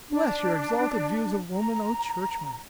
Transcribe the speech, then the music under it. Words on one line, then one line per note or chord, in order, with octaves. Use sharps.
Bless your exalted views of woman, O churchman!
D4
A#5